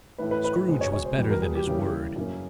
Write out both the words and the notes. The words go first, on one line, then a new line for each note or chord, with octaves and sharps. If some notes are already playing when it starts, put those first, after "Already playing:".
Scrooge was better than his word.
A2 E3 A3 B4
B4
B4
B4
C#2 B2 G#3 C5
C#5
C#5
C5
E2 B2 G3 B3
A#4
G#4
G4
C#3 E3 G3 A#3
F#2 C#3 F#3 A#3 C#4